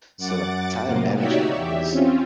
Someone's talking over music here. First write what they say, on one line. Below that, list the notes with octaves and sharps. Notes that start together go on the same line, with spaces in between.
So, like, time management is
F#2 F#5 D6 A6
F2 A2 C3 A#3 F4
D#4 F#4 G4 C#5 D5 E5
E2 G4 E5
C4 C#4 F4